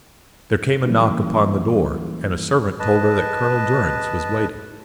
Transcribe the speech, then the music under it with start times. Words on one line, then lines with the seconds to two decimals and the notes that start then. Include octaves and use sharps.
There came a knock upon the door, and a servant told her that Colonel Durrance was waiting.
0.85 E3 F#3 G3 A#3 C#4 E4
2.80 B4 D#5 A5